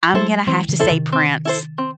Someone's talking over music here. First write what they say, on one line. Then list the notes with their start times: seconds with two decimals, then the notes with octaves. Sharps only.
I'm gonna have to say Prince.
0.14 F#3 A3 E4 A4 C5
0.47 E3 G#3 C4
0.69 C#3 E3
0.79 E4 A4 C5
0.90 C3 D#3
1.12 C4
1.45 E4 A4 C5
1.78 C4